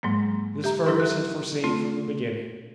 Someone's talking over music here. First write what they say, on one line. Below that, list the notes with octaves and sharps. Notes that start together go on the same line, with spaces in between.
This Fergus had foreseen from the beginning.
G#2 F#3 G#3 A#3
G4 E5 A#5
F#3 E4 A4 B4 E5 C6
F#6
A3 C4 F4